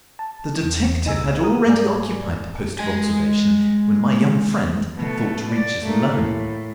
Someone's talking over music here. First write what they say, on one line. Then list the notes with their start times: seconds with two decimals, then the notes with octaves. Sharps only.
The detective had already occupied the post of observation when my young friend had thought to reach it alone.
0.19 A5
0.63 E2
1.05 C#2 D#4 G#5 E6
1.41 G#4 A#4 D#6
1.67 G#2 A#4 D5 G#5
2.79 G#3 G#5
4.97 B2 A3
5.51 D5
5.82 A3 A#3
6.13 A2